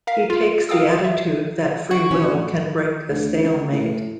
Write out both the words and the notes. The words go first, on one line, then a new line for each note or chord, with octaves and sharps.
He takes the attitude that free will can break the stalemate.
A#4 F5 B6
F4
A#4 F5 G5 D#6 E6
E5
F#4
C#4 E4
A2
D2
C#2
A2